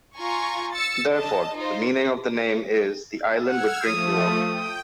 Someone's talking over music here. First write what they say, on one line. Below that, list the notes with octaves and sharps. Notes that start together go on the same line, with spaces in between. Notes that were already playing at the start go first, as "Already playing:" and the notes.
Therefore, the meaning of the name is "the island with drinking water".
F4 G#5 A#5 C#6
E6 A6 C#7
D#5 A5
D#4 F4 C5
F#5 E6 F6 G#6
F3 A3 D#6
G5